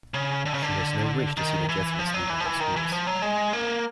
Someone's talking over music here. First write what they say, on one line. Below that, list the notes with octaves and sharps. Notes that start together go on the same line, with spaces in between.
She has no wish to see the Jesuits leaving their schools.
C#3
D3
C#3
D3
D#3
E3
F3
F#3
E3
F3
E3
D#3
E3
F3
F#3
G#3
A#3